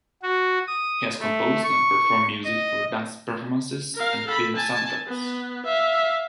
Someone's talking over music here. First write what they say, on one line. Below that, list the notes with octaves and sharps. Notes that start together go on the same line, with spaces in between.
He has composed and performed music for dance performances and film soundtracks.
F#4
D#6
A3
C#6
D#5
A#4 F5
A4 B5
G#5 A5
B3
E5 F5